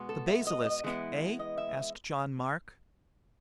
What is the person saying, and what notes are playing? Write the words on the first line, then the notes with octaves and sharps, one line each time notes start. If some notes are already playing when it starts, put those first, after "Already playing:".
"The basilisk, eh?" asked John Mark.
Already playing: B2 G#3 B3
A4
E5
D#5
D#5
E3 G#3 B3 E4
D#5
E5